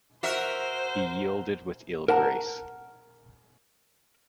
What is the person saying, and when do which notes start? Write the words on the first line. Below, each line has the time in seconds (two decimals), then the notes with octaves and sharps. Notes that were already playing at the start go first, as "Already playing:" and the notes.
He yielded with ill grace.
0.23 F#4 A#4 C5 E5
2.08 A#4 F#5 A5 A#5